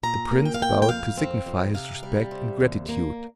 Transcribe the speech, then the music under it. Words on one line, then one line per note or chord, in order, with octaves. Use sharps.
The prince bowed to signify his respect and gratitude.
A#2 A#5
A#3
G5
F5
A#2 G5
G5
F2 F5
C4
F2
C3 F5
G3
C3
D#2
A#3